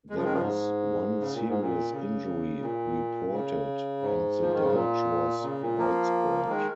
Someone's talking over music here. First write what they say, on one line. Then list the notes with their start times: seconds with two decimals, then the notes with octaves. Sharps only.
There was one serious injury reported and the damage was widespread.
0.10 G#3
0.15 C#3 F3
0.24 D#3 G#3
0.33 C#3 F3
0.41 G#2
1.20 C#3
1.34 A#2
1.48 G#2
1.61 A#2
1.92 C#3
2.62 A#2
3.32 C#3
4.02 G#2
4.42 F3
4.53 D#3
4.63 C#3
4.73 A#2
5.43 C#3
5.61 A#2
5.78 F3 A#3
6.44 F3
6.49 D#3 G#3